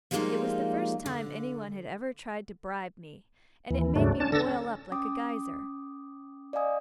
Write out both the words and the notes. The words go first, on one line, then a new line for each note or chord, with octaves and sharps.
It was the first time anyone had ever tried to bribe me, and it made me boil up like a geyser.
F3 G3 G#3 A#3 D#4 F4
D3
D#2 E3
D#2 G#2 C#3 F#3 A3 D4
C#4 D4 A5
D3 D4 A4 E6 A6 A#6
C#4
C#4 G5 D6 D#6
D5 D#5 F5 G#5 D#6